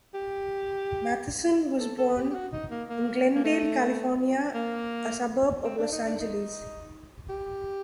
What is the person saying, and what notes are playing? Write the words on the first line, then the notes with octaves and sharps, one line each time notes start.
Matheson was born in Glendale, California, a suburb of Los Angeles.
G4
A4
A4
G4
G4
F#4
D#4
A#3
A#3
A#3
A3
A#3
C4
D4
D#4
D4
D#4
G4